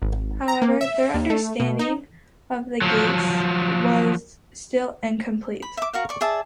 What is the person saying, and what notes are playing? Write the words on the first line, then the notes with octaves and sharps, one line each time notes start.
However, their understanding of the gates was still incomplete.
G#1
A#5
A#3
E5
D#2
A3
B2
D#4
F3 F#3
B5
E5 D6
F#4 A#4 F5
D5 C#6
G#4 D5 E5 A5